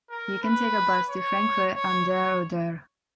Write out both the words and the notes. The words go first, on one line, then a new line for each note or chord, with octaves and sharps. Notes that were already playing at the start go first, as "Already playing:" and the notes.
You can take a bus to Frankfurt an der Oder.
A#4
B4
C#5
C#5
C#5